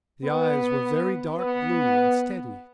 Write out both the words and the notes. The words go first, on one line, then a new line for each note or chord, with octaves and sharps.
The eyes were very dark blue and steady.
B3
B3